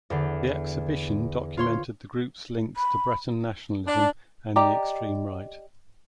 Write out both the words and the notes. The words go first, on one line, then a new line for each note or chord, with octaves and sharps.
The exhibition documented the group's links to Breton nationalism and the extreme-right.
E2 D3
F4 C#5 C6
B5
D4
G4 D5 D#5 A#5